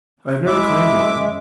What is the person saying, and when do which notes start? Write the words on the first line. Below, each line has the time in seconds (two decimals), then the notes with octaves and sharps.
I have never claimed one.
0.46 F#2 G#3 E4 E5 D6